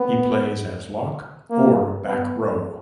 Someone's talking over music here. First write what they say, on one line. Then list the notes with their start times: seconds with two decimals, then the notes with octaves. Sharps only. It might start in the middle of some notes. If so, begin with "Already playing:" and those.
He plays as lock or back row.
Already playing: B3
1.50 A#3
2.06 B3